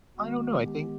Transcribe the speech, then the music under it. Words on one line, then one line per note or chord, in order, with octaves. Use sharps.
I don't know. I think
D#3 G#3 B3 F#4
G4